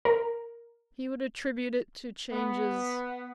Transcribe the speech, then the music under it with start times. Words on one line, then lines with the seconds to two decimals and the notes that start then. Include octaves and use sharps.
"He would attribute it to changes . . ."
0.05 A#4
2.32 B3